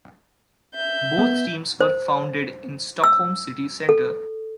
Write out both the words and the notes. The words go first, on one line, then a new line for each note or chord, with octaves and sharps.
Both teams were founded in Stockholm City Centre.
E5 G6
B3
C5
E6
A4